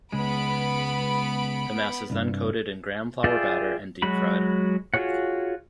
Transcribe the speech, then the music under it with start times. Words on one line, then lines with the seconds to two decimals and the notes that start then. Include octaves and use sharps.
The mass is then coated in gram flour batter and deep fried.
0.12 C#2 G#3 B3 B5 D7
2.10 C2 G2
3.24 F4 G#4 D5 E5 G5
4.02 F#3 G#3 F#4 B5
4.94 F4 F#4 G#4 C#5 F#5